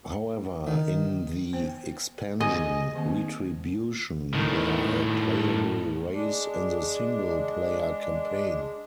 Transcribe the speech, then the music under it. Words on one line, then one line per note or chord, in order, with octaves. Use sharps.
However, in the expansion "Retribution", they are a playable race in the single-player Campaign.
D#3
B3 C5 G5
B3 G4 G#4 D#5 G#5
D#3 A#3 C4
A2 D#3
G#3 D4